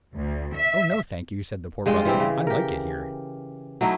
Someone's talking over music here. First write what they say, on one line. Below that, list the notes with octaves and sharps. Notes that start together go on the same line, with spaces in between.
"Oh no, thank you," said the Poor Brother, "I like it here."
D2
E5
G2 G#3 F4 G5
E3 G3 C4
C#3
G4 A#4
F#3 A3 D#4 E4